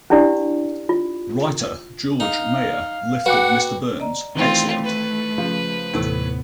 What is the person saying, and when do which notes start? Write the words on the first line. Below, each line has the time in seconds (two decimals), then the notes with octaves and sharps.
Writer George Meyer lifted Mr. Burns' Excellent!
0.10 C#4 D4 E4 G4 D5
0.89 F4
2.20 D#4 F5
3.26 F#4 B4 F#5 G5 D6
4.00 D5 D#5 A#5
4.35 D#3 E3 A3 C4 F4
4.84 B4
5.38 C#3 F3
5.94 D#2 A2 C3 E3 A3 B3 E4